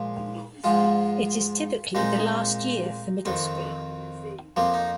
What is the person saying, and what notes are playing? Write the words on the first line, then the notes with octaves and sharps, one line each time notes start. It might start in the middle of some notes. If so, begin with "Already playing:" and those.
It is typically the last year for Middle school.
Already playing: A#2 F3 G#3
G#2 F3 G#3 F4
A#2 G#3 C4 D#4
F2 D#3 C4
F2 F3 A#3 C4
D#4